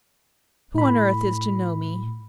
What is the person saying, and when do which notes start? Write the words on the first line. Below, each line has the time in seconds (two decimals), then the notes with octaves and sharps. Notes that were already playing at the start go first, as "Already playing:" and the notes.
Who on earth is to know me?'
0.75 A2 B5